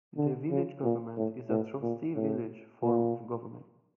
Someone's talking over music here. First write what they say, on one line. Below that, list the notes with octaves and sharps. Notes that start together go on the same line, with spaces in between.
The village government is a Trustee-Village form of government.
D3
C#3
A#2
A2
A2
A#2
A2
A#2